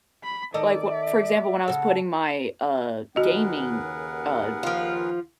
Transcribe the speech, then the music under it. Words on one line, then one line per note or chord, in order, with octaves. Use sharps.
like wh for example, when I was putting my, uh, gaming, uh,
B5
D#3 A4 D5 D#5
E5
C#3 A4 F#5
D#2 C#3 F#4 G#4 A#4 B4 D#5 F#5
F3 F4